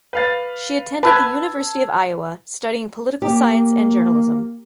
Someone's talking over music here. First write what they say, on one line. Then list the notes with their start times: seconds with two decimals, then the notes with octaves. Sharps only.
She attended the University of Iowa studying political science and journalism.
0.13 B4 F5 A6
1.03 B4 A5 E6 G#6
3.22 A#3 G4